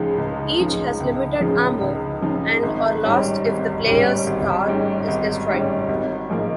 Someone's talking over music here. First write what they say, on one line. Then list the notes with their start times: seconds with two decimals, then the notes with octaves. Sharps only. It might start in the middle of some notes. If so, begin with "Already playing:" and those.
Each has limited ammo and are lost if the player's car is destroyed.
Already playing: C#2 C#3 F3 G#3 D#4
0.18 C#2
0.59 C#3 F3 G#3 D#4
1.00 C#2
1.41 C#3 F3 G#3 D#4
1.81 C#2
2.22 C#3 F3 G#3 D#4
2.63 G#1
3.04 G#2 G3 C#4
3.45 G#1
3.85 G#2 G3 C#4
4.27 G#1
4.66 G#2 G3 C#4
5.08 G#1
5.48 G#2 G3 C#4
5.89 G#1
6.30 G#2 F3 A#3